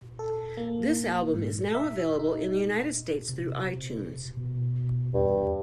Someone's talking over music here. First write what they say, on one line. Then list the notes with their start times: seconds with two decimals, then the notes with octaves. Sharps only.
This album is now available in the United States through iTunes.
0.19 A4
0.57 A#3
1.34 G#2
1.75 E5
2.19 D#4
3.29 C3
4.37 B2
5.14 E2 G2